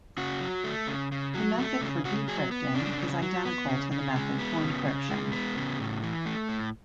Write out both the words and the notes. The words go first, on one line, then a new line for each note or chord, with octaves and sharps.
The method for decrypting is identical to the method for encryption.
C#3 F#4
F#3
A3
C#3
C#3
F#3
A3
C#3
C#3 F#4
F#3 G#4
B3
C#3 D4
C#3
F#3
B3
C#3
C#3
G#3
B3
C#3
C#3
G#3
B3
C#3
A2
E3
A3
A2